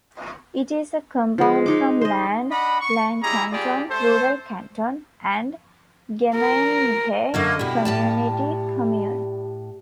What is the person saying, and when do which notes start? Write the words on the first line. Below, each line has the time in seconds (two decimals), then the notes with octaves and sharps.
It is a compound from "Land" "land, canton; rural canton" and "Gemeinde" "community, commune".
1.38 F3 G#3
1.66 G#3 D#4 D6
2.01 C5 D#5
2.50 D4 D#5 F#5 B5
2.81 C#6
3.23 G3 G#3 E4 G#4 A#5
3.51 G3 F4 G4 G#4 D5
3.90 A3 A4 C5
6.35 A#4
7.34 F#2 D3 A3 A#3 D#5
7.59 B2 G3 E4
7.85 A2 G4 A5